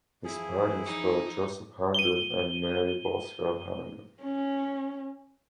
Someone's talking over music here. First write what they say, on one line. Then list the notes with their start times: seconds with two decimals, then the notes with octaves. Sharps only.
His parents were Joseph Herndon and Mary Boswell Herndon.
0.24 F2 E3 F3 E4 G#4
0.85 D#4
1.94 D#7 G7
4.22 C#4